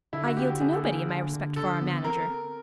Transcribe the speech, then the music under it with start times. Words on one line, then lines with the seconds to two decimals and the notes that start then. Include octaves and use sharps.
I yield to nobody in my respect for our manager.
0.13 D3 E4
0.25 F#4
0.37 A#3 G4
0.49 G4
0.61 D3 G#4
0.73 A4
0.84 A#3 G#4
1.09 D3
1.33 D3
1.56 D3 A4
1.81 B3
2.04 C4 A#4